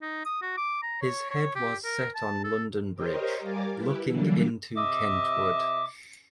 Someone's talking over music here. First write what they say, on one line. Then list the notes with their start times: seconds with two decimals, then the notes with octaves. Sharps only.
His head was set on London Bridge, 'looking into Kentward'.
0.01 D#4
0.25 D#6
0.42 F#4
0.57 D6
0.82 A#5
1.01 C#5
1.31 C#5
1.55 G4
1.84 A#4
2.15 A5
2.44 A4
2.95 G4 A#4 C5 C#5 D#5
3.40 G3 A#4 F5 G#5 D6 A6
3.75 E4 G4 B4
4.07 D3 E3 F#3 G3 A#3 D4
4.77 C3 D#5 E5 D6